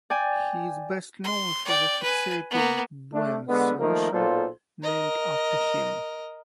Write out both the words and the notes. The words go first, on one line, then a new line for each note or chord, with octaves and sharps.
He is best known for the fixative Bouin solution named after him.
D5 G5 G#5
C6
D5 G5
B4 G#5
A#3 B3
A3 D4
D3 G#3 B3
D#3 F3 A3 A#3 A#4
B1 A#2 F4 A4 C5
A#4 D#5